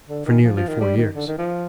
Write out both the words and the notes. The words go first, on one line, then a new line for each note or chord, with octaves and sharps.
"For nearly four years."
D3
D#3
F3
F3
D#3
G3
D#3
D3
D#3
F3